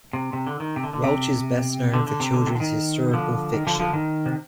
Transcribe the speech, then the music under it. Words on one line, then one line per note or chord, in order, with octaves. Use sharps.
Welch is best known for children's historical fiction.
C3
C3
D3
D#3
C3
D3
D3
C3
D3
D3
C3
D3
C3
D3
D#3
D3 F3
D#3
D3 F3
D3 F3
D#3
C3